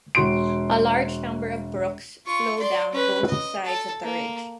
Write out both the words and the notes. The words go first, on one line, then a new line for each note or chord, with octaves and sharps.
A large number of brooks flow down both sides of the ridge.
E1 F#4 C6 D7
F4 C#6
D5 C6
C#4 B4
D#5
A4 A5
A#3